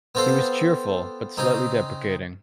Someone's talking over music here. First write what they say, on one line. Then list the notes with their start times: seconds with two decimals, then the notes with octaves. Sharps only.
He was cheerful, but slightly deprecating.
0.15 B3 C4 F4 A4 C5
1.37 C#3 C4 D#4